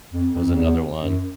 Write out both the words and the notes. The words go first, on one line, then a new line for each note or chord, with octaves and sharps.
was another one.
F2
F2
F2
E2
F#2